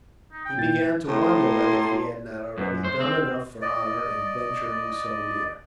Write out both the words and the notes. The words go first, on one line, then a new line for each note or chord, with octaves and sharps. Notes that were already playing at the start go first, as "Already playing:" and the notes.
He began to wonder whether he had not already done enough for honour in venturing so near.
D#4
G5
A#2 A6
A2 A5 A#5 C6
F#2
C5
C4
D5 D#5